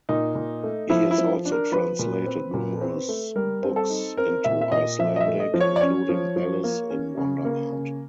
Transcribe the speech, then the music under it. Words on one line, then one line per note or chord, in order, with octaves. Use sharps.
He has also translated numerous books into Icelandic, including Alice in Wonderland.
A#2 D#4
A#2
A3
F3 E4
E4
F3
D4
A#4
F3 B4
A#2
C4
A#2
C4
A3
G3 A#4
C4
A4
D#4
C4 A#4
A#2 E5
E5
A#2 D#5
F3 E5
D#5
E5
A3
D#5
F3
C#5
D5
C#4 C#5
F3
F3
A#3
C#4
C#3
A#3
C#3